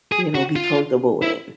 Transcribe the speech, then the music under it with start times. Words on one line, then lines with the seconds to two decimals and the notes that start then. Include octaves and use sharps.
you know be comfortable in,
0.12 G#4
0.35 F#4
0.56 F4
1.22 E4